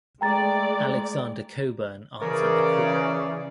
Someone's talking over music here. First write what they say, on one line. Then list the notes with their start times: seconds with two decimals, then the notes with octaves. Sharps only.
Alexander Cockburn answered the call.
0.21 G#3 A3 D5 G5 A#5 A6
2.21 C#3 E3 A#4 D5